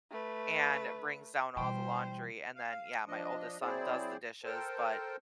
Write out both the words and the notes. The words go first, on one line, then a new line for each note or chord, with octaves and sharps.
and brings down all the laundry and then yeah, my oldest son does the dishes, but,
A3 B4
B2 E3 G3 C5 G5
F5
F3 D4 D#5
F#3 C4 E4 G#4 C5 D5
A4 A#4 C5 G5 A5